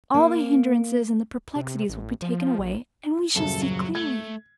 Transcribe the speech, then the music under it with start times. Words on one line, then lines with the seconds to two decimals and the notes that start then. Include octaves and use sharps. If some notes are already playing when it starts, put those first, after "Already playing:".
All the hindrances and perplexities will be taken away, and we shall see clearly.
0.14 A#3
1.56 C3
1.89 A1
2.22 F3
2.59 A#1
3.36 D#1 F#2 C#3 A4
3.62 F#3
3.95 A3 G#6